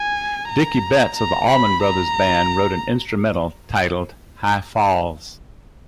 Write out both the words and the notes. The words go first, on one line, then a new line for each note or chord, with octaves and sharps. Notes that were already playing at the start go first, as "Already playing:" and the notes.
Dickey Betts of The Allman Brothers Band wrote an instrumental titled "High Falls".
Already playing: G#5
A#5
A#5
B5
A#5